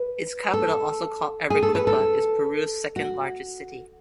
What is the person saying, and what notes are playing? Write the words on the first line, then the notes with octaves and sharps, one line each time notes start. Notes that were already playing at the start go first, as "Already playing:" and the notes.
Its capital, also called Arequipa, is Peru's second-largest city.
Already playing: B4
A4
G#4
A4
B4
A4
F#4